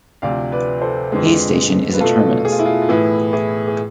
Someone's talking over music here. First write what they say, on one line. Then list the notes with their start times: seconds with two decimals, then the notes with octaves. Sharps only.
Hayes station is a terminus.
0.22 D2 C3 F3 D5 F5
0.52 B4 D5
0.81 A4 C5
1.12 F2 D3 G#3 B3
1.94 B4
2.00 B2 A3 F4 A4
2.45 G#4
2.52 F4
2.59 E4
2.66 F4
2.82 F4
2.89 A2 E3 B3 E4 G#4
3.33 E4 G#4
3.68 G#4